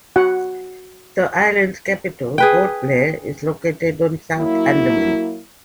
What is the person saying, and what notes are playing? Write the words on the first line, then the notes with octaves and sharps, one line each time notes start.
The islands' capital, Port Blair, is located on South Andaman.
F#4 F#5
G#4 B4 G5
F#3 A#3 E4